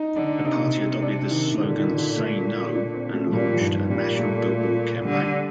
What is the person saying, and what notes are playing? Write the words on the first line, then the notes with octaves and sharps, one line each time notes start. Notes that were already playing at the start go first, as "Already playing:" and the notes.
The party adopted the slogan "say no" and launched a national billboard campaign.
Already playing: D#4
D3 D4
C3 D#4
D4
D#3
A#2 D3
D#3
D3
A3
D4
C4
A3
F3
A#2 G3
F3
G2 D#3
A#2 G3
A#3
A3
A3
D3 G3